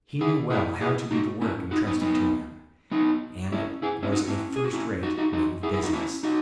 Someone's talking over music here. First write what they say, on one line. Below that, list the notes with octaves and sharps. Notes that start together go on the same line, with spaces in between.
He knew well how to do the work intrusted to him, and was a first-rate man of business.
E4 G#4
E4 G#4
E4 G#4
D#4 F#4
C#4 E4
D#4 F#4
B3 D#4
B3 D#4
B3 D#4
C#4 E4
E4 G#4
C#4 E4
D#4 F#4
C#4 E4
G#4
F#4
C#4 E4
D#4 F#4
D#4 F#4
D#4 F#4
E4 G#4
E4 G#4
D#4 F#4
C#4 E4
D#4 F#4